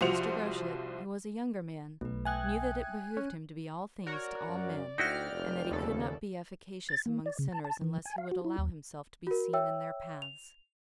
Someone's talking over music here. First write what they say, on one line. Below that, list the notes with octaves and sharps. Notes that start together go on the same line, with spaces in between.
Mr. Groschut, who was a younger man, knew that it behoved him to be all things to all men, and that he could not be efficacious among sinners unless he would allow himself to be seen in their paths.
C2 F3 F#4 C5 C#7 F7
B1 A3 B4
E5 G5 G#5 D#6 F#6 G#6
C#4
F#4 A#4 C#5 D5
F#2
D2 D#4 E4 F#4 G5 F6
F1
D#2 C#3 A4
A6
A#3
D5
C#3
A5
A5
E3
G#5
F5
F#4
E4
D#2
F#4 A#4
C#5 E5 G5 E6
F7